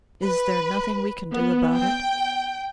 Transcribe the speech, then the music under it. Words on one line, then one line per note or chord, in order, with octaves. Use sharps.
"Is there nothing we can do about it?"
B4
B3
G5